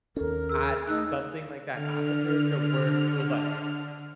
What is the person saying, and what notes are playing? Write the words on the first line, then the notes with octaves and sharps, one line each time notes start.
had something like that happen to her, she'll where she was like
D#2 C#4 A4 A#4
G#4 E6
A3 D#4 E6 F#6
D3 F6